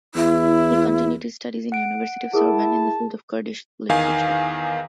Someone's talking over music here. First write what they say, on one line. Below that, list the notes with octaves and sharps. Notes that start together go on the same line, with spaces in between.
He continued his studies in University of Sorbonne in the field of Kurdish literature.
E2 E4
F#5 D7
E4 G#4 A#4 A5 D#6
E2 D#3 F5 G#5